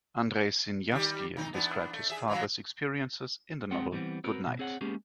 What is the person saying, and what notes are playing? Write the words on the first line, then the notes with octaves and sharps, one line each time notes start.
Andrei Sinyavsky described his father's experiences in the novel Goodnight!
D#3 G3 G4
D#3 D#4
E2 B3 D4
A3
G#4 E5
C#3 E3 F#3
F2 G#3 C4 G#4 F#5 G5
E3 G3 B3 C4
C4 F#4 A#4 B4
B2
C4 G#4 C#5 F#5
G#3 A#3 B3 C#4 G4 G#4